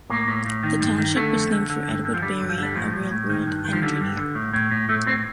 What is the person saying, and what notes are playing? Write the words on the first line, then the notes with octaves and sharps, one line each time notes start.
The township was named for Edward Barry, a railroad engineer.
A2 A#3
A2
A2
D#3
G2
D#3
D3 A3
F2
D3
D3
G2
D3
F3
D3 G3
G2
F3
D3 G3
A2 F3
A2
A2
D#3
G2
D#3
F3
D3 G3
G2
D3
A2
A2
A2
A2 A3
A2 C4